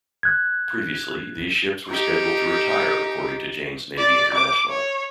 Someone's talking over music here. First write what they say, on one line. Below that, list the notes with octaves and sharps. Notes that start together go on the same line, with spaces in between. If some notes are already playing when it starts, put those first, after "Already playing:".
Previously, these ships were scheduled to retire according to Jane's Navy International.
F#6 G#6
D#4 G4
D5
D6
C#5